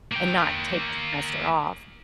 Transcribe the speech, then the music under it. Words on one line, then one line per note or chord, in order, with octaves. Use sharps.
and not take a semester off."
A#3 G5